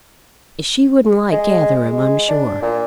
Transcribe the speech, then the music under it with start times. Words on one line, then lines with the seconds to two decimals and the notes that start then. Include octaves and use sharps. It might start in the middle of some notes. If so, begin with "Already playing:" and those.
"She wouldn't like Gatherum, I'm sure."
1.32 G#3
1.75 G#3
2.29 D4
2.62 A#2